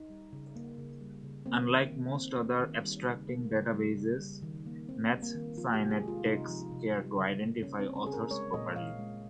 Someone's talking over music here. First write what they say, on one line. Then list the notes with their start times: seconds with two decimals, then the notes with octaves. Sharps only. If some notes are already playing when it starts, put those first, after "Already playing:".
Unlike most other abstracting databases, MathSciNet takes care to identify authors properly.
Already playing: D#4
0.10 G3
0.33 C#3
0.56 A#3
0.78 C#3
1.01 G3
1.23 C#3
1.46 A#3 C4
1.69 D#3
1.92 D#3
2.15 A#3 C4
2.37 A#3
2.60 D#3
2.83 G3
3.06 C#3
3.29 A#3
3.52 C#3
3.74 G3
3.97 C#3
4.20 G3
4.43 D#3
4.66 A#3
4.89 D#3 C4
5.12 G3
5.22 A#3
5.35 D#3
5.57 F3 F4
5.74 G4
5.80 C3
5.91 G#4
6.02 G#3
6.08 F4
6.25 C3 D#4
6.49 F3
6.72 C3
6.94 G3
7.17 C#3
7.40 A#3
7.62 C#3 C#4
7.79 C4
7.85 G3
7.96 C#4
8.07 C#3 G#4
8.13 A#4
8.31 G#3 C#5
8.54 A#2 D#5
8.76 A#2 F5
8.99 G#3